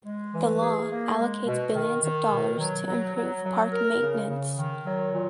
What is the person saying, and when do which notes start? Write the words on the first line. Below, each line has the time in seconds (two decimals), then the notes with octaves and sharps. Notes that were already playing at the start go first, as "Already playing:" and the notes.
The law allocates billions of dollars to improve park maintenance.
0.05 G#3
0.33 E3
0.61 G#4
0.90 A#3
1.18 G#3
1.46 B2
1.75 D#3
2.03 D#3
2.31 B2
2.59 F#3
2.87 F#3
3.15 F#3
3.44 F#3
3.72 A#4
4.01 C#3
4.29 C#3
4.57 D#3
4.85 F#3
5.13 A#2